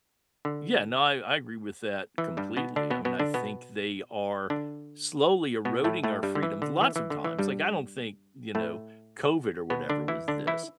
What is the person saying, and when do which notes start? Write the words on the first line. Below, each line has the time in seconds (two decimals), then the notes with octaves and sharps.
Yeah. No. I I agree with that completely. I mean, I think they are slowly eroding our freedoms, lots of times. Like, I don't think, you know, COVID or whatever was this.
0.45 D3
2.18 E3
2.37 G2 G3
2.57 B2 B3
2.76 D3 D4
2.91 B2 B3
3.05 B2 B3
3.19 D3 D4
3.34 B2 B3
4.50 D3 D4
5.65 B2 B3
5.84 A2 A3
6.04 A2 A3
6.23 G2 G3
6.35 D3
6.43 E3
6.62 D3
6.81 E3
6.96 E3
7.10 D3
7.24 E3
7.39 G2 G3
8.55 A2 A3
9.70 B2 B3
9.89 D3 D4
10.08 E3 E4
10.28 D3 D4
10.47 E3 E4